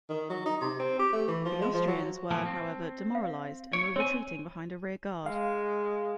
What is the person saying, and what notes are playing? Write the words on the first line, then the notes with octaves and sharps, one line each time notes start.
The Austrians were, however, demoralised and were retreating behind a rear-guard.
D#3
F#3
D#4
C3
C4
G4
A3
E3
F3
G#3
F3
F#3
A2 F3 A#3 A5
C4
F5
C#5 C#7 D7
C4 C#5 G#5
G#3 F5